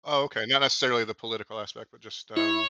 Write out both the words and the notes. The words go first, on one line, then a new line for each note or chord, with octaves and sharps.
Oh, okay, not necessarily the political aspect, but, just, um,
E4 C#5